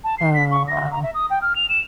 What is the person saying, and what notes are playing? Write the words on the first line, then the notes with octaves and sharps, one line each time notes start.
Oh, wow.
A5
C7
B6
C#6
A#6
A#5
E5
D#6
G5
F6
F7
E7